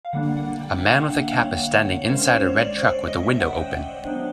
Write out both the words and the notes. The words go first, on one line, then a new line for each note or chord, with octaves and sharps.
A man with a cap is standing inside a red truck with the window open.
F5
D3 G3 A#3 D4 F#5
F#5
G5
E5
F#5
F5
F#5
F5
C#5
D#3 G#3 C#4 C5
C5
C#5
D5
D#5
E5
F#5
G5
F#3 B3 D4